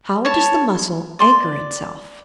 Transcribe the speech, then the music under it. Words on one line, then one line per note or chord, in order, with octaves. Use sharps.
How does the Mussel anchor itself?
C#5 A5
D5 C6